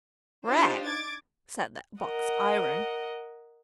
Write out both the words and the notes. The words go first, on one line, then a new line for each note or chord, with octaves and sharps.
"Rag!" said the box-iron.
D4 D#4 F4 G4 C5
D6 G#6 A6
A#4 D#5 F#5